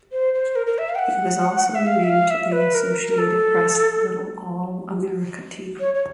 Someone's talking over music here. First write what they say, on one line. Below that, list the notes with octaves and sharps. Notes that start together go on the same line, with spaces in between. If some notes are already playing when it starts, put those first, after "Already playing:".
He was also named to the Associated Press "Little All-America" team.
C5
C5
A#4
A#4
E5
F5
G5
F#5
E5
F5
E5
F5
E5
B4
A#4
A#4
A4
C#5
C#5